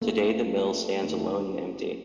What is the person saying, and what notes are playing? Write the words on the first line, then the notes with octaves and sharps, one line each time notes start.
Today the mill stands alone and empty.
C#2 A3 A#3
D#2
F#1